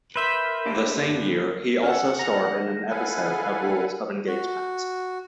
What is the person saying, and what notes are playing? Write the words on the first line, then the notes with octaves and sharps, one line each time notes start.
The same year, he also starred in an episode of "Rules of Engagement".
A#4 B4 E5 C6 G6 B6
D3 A#3 D4 G4
C#4 A4 F#5 F6
A#5 A#6
E4 A4 B4 F5 F#5 G#5
F#4